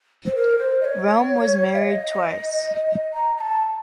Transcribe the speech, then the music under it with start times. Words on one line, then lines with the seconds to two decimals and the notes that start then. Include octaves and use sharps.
Rome was married twice.
0.26 C5
0.35 A#4
0.58 C5
0.81 D#5
0.85 C#5
1.74 F5
1.78 D#5
3.13 A#5
3.37 A#5
3.41 A5